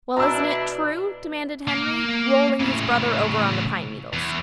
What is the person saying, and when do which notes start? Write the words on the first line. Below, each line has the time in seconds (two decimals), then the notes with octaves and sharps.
"Well, isn't it true?" demanded Henry, rolling his brother over on the pine needles.
0.17 B2 D4 E4 A#5 E6
1.68 A#3
2.60 A2 C#3
4.13 E2